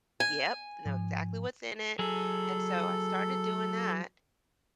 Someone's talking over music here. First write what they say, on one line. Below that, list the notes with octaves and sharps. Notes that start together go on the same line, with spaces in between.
Yep, know exactly what's in it, and so I started doing that,
G#5
G#2 F3
F#3 G#4 A4